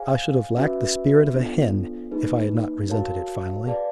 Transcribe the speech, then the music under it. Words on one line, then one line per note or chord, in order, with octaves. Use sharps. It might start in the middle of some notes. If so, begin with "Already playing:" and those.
I should have lacked the spirit of a hen if I had not resented it finally.
Already playing: G#4 C5 F5 G#5
C#4 F#4 B4 E5
B3 D4 F4 A4 C5
A#3 D#4 G#4 B4
F#4 A#4 C#5 F5 A5
G#4 B4 D5 F5 A5